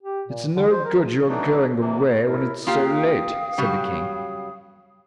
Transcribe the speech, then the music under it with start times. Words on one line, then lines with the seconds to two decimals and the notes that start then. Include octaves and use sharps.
'It's no good your going away, when it's so late', said the king.
0.03 G4
0.27 A#2
0.56 D3
0.69 C5
0.85 A#4
1.29 E3 F#3 A3 D4 D#4
1.80 C3 E3 F3 A#3
2.24 E4 A#4
2.67 A#3 F4 G4 F5 G5 D#6
3.58 C#3 F#3 G3